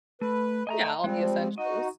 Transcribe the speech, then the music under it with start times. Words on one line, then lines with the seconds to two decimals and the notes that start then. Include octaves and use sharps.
Yeah, all the essentials.
0.21 A3 B4
0.67 A3 D#5 G#5 A#5
1.04 F3 G3 G#3 C4
1.58 D#4 F#4 D#5